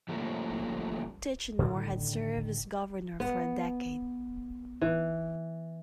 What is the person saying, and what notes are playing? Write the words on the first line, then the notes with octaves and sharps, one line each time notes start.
Tichenor had served as governor for a decade.
F3 G3 A3 A#3 C#4
A2 D3 D#3 G3
B3
E3